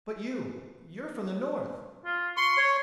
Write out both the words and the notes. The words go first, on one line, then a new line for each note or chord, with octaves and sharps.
"But you--you're from the North."
F4
C6 C#6
C#5